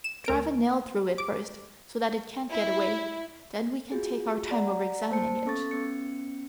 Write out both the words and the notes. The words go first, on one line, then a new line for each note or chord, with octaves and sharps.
"Drive a nail through it first, so that it can't get away; then we can take our time over examining it."
E7
D2 A#4 D7
D6
E4
F4 F#4 G#4
D5 F#5 A#5
A#3 C5 A5 C#7
B3 C#4 A4 C#6 A6
B3 C#4 C#7